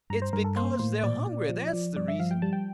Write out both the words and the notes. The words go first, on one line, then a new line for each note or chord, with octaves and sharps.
It's because they're hungry; that's the reason.
G2 A#5
C5
G2 A#4
A4
A#3 C5
A2 C5
A#2 D5
A#2
F3
F3
G2 D5
E5
F3 F5
G5
G3 A5
G5